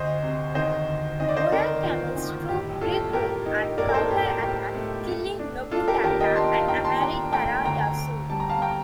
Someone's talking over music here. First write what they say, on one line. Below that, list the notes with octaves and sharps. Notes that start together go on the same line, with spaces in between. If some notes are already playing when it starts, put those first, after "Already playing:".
Murakami's troop regrouped and counterattacked, killing Nobutaka and Amari Torayasu.
Already playing: D2 C5 D#5
C3
D#3 C5 D#5
D2
D#3 D#5
D5
C5 D#5
D#3 A#4 D5
D#3 F4
D#3
A2 G4
A2 F4 A4
A2 G4 A#4
D#4
A2 A#4 D5
A#4
A4 C5
A2 G4
G4 A#4
A2 G4
A3
A3
D4
D4 F4 A4
G4 A#4
D#2 G4 A#4
D#5 G5
D4 A5 C6
F5 A5
D#2 G5 A#5
A5 C6
D4 G5 A#5
A3 G5 A#5
D2 G5 A#5
D2
G3 A5
A#5
F5 A5
G5 A#5